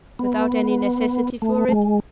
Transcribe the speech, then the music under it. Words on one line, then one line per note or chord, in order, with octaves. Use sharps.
"Without any necessity for it?"
B3
A3
A3
G#3